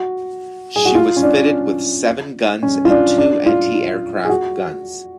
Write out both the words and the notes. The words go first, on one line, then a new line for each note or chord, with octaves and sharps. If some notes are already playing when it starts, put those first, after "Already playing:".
She was fitted with seven guns and two anti-aircraft guns.
Already playing: F#4
G#4
F#4
F4
C#4
D4
C#4
F4
D4
D4
F4
G#4
F#4